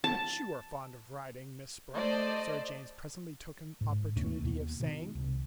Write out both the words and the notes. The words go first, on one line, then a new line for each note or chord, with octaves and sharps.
"But you are fond of riding, Miss Brooke," Sir James presently took an opportunity of saying.
A5
A3 C5 D5 D#5 A5
G#2
D#2 B2 A3 C#4
D#2 B2
B2 D#3
C2